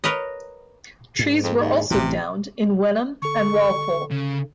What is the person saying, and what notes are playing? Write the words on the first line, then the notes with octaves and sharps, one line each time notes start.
Trees were also downed in Wenham and Walpole.
A#4 B4 C#5 D#5
G#2
F2
D#2
A1 C3 E3
D3 A4 C#6
C#3